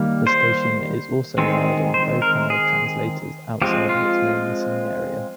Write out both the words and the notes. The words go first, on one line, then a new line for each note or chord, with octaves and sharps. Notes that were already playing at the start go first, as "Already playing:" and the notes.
The station is also aired on low-powered translators outside of its main listening area.
Already playing: D#3 G3 A#3
C5
D#3 G#3 C4
C5
A#4
G#4
F3 G#3 C4 G4
F4